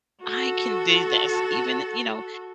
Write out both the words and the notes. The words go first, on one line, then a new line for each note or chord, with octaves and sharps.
I can do this, even" you know,
F#4 A4